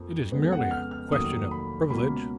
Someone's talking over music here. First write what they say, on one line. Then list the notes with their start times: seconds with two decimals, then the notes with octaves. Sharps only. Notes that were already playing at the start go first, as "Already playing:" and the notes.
"It is merely a question of privilege."
Already playing: F2 F3 A#3
0.32 F2 C#3 G#3 B3
0.52 F#5
0.71 F6
0.91 F6
1.11 F1 D#2 D#3 F#3 A#3 D#6
1.51 B5
1.90 C#2 B2 A#3 C#4 B5